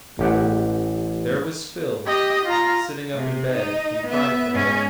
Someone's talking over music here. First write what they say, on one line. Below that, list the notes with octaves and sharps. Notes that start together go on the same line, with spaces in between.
Behold--there was Phil, sitting up in bed, and crying for help.
A1 G4 F#5
G4 D#5
F4 A#5
C3
D#4
B3 E5
G#2 C#4